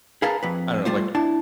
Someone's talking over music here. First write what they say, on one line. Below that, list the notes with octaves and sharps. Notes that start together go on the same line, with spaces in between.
I don't know, like,
G#4 A#4 B4 F5 A5 A#5
F2 B4
G3 A3 F4 C5
D4 E4 A5